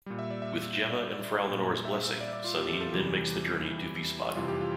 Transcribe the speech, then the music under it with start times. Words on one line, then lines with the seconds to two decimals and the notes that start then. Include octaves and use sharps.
With Gemma and Frau Lenore's blessing, Sanin then makes the journey to Wiesbaden.
0.06 A#2 G3
0.19 E5
0.30 D5
0.42 E5
0.90 D5
1.13 D5
1.49 A#2 G3
1.85 E5
2.21 D5
2.33 D5
2.44 F4
2.57 G4
2.68 A4
2.81 A4
2.92 E2 C3 E3 G3 G4
3.64 E4
4.35 F2 C3 E3 G3 F4
4.48 G4
4.61 F4